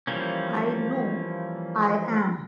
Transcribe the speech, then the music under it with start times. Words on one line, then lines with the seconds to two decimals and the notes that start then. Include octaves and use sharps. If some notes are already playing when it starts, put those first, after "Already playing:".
I know I am.
0.07 E3 F3 G3 A#3 C#4